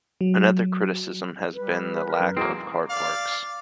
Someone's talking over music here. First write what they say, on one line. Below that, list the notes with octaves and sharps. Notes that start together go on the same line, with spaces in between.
Another criticism has been the lack of car parks.
F#3
G3 B4
A#4
F#2
E3 G#3 A#3 C4 F#4 G#4
D5 F5